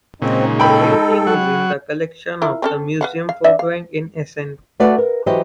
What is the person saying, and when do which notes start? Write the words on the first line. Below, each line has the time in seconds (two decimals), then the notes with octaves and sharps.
The painting is in the collection of the Museum Folkwang in Essen.
0.22 A#2 C#3 G#3 C4 D#4
0.60 A4 G5 B5
1.27 F#3 F#5
2.42 E4 F4 A#4
2.62 C4 C#4 A4
3.01 B4 F5 F#5
3.29 F5
3.44 D4 D5 E5
3.59 F5
4.80 A3 F#4 B4 D5 F5 F#5
4.98 A#4
5.26 E3 F#3 F#4 G4 C5 D#5